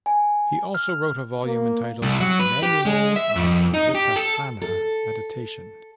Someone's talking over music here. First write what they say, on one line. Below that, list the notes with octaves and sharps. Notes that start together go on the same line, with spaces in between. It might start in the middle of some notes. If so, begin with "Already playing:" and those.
He also wrote a volume entitled "Manual of Vipassana Meditation".
G#5
F6
A#3
C2
F#3
B4
G4
G#3
E5
F2
D#4
G4
A4
A4